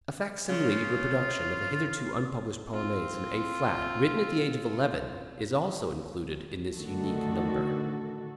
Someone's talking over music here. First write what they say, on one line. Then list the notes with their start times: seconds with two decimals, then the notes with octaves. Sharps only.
A fac-simile reproduction of a hitherto unpublished Polonaise in A flat, written at the age of eleven, is also included in this unique number.
0.49 C#3 F4
2.72 C4 F4
6.73 A2 D3 D#3 A3 F#4 A4